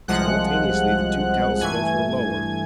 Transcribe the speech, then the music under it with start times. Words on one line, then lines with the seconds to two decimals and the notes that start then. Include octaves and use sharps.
Simultaneously the two telescopes were lowered.
0.08 C2 C3 F3 G#3 F#5 F#6
1.61 G2 E3 A3 G#5 G#6